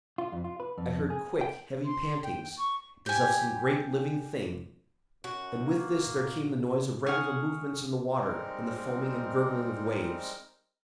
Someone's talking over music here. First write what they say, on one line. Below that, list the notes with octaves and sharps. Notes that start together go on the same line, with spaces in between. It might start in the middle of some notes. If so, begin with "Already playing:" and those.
I heard quick, heavy pantings, as of some great living thing; and with this there came the noise of regular movements in the water, and the foaming and gurgling of waves.
F4
F2
F4
B4
F2
G#4
G5
C6
G5
C#6
G4 G#5
F#2 F#4
A#3
A#2
G#4 F#5 C#6 F6
G3 G#3 C4 D#4 A#4